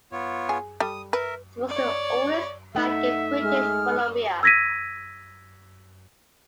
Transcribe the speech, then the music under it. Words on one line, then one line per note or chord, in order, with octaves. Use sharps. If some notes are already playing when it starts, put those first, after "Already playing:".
It was the oldest bank in British Columbia.
B3 F4 C#5
G#4
G3 A4 D#6
A#4 B4 E5
C#5 D5
A3 D#4 E5 F#5
G#3 F6
E6 G#6 A#6 B6 D#7